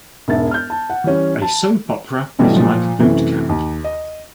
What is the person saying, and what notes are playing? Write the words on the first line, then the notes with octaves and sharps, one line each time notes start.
A soap opera is like boot camp.
E1 G#2 A#4 E5 A6
F6 G6
A5
F#5
E3 G3 C#4
A5
G2 B2 E3 F#3 G3 A3
A#2 F3
F#2 C3 E3 A3
D#2
D#5